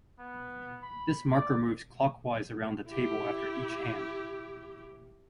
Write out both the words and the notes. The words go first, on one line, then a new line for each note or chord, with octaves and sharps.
This marker moves clockwise around the table after each hand.
B3
B5
D5
E4 G4